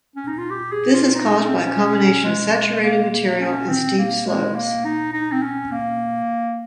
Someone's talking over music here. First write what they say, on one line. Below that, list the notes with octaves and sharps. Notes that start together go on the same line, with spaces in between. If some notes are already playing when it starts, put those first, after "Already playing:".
This is caused by a combination of saturated material, and steep slopes.
C#4
D#4
F4
G4
G#4
F4
D#4
C#4
C4
C#4
G#3
G#3
A#3
A#3
C#4
C4
A#3
G#3
A#3
D#4
D#4
C4
C#4
A#3